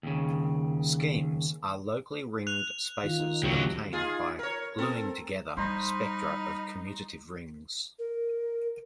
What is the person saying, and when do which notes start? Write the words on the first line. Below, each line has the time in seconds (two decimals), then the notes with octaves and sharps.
Schemes are locally ringed spaces obtained by "gluing together" spectra of commutative rings.
0.03 D#2 C#3
2.47 F#6 F7
3.04 D#3 F4
3.20 D#4
3.43 D2 C#3 F#3 G4
3.92 D#4 F4 G#4
4.39 A#4 C#5
4.78 C4 A4 A#4
5.57 G3 D#4 C5 A#5 B5 F6
7.99 A#4